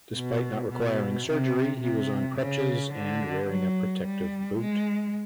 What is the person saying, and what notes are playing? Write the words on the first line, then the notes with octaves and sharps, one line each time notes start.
Despite not requiring surgery, he was on crutches and wearing a protective boot.
B2
B2
C3
C3
C#3
D3
F#3
G3
G#3